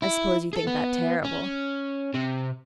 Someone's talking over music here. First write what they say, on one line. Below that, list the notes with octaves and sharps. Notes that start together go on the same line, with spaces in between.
"I suppose you think that terrible."
E4
G#4 A4
B3
C#4
C3